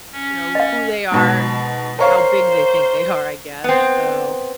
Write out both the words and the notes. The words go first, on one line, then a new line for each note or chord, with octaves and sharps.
you know, who they are, and how big they think they are, I guess, so
C#4
D#5 F5
G#2 B2 A5
A#4 C5 C#5 F5
B3 C4